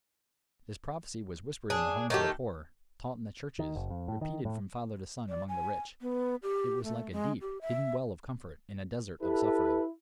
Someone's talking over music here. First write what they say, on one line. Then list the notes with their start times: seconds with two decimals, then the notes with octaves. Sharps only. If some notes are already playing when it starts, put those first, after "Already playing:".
This prophecy was whispered in the homes of the poor, taught in the churches, repeated from father to son among the rich; it was like a deep, hidden well of comfort in a desert of suffering.
1.70 D4 G#4
2.10 D#3 A3 G4
3.59 D#3
3.76 F#1
3.90 F2
4.08 A2
4.21 D#3
4.45 A2
5.29 D5
5.49 G#5
6.01 B3
6.43 G4
6.84 A3
7.12 G#3
7.41 G4
7.61 E5
9.22 E4 G4 A4 B4